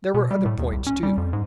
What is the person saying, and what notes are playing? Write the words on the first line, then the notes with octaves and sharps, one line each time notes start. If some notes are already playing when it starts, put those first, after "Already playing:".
There were other points, too.
B2
G3
A2
D#2
C2
C#4
G3
F2
G#2